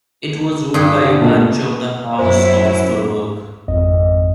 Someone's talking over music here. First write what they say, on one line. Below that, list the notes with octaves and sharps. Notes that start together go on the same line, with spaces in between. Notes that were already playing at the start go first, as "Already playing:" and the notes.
It was ruled by a branch of the House of Stolberg.
G2 G#4 G5
D3
A#2 A3
F#2 E4 C5
G#1 F2 D#5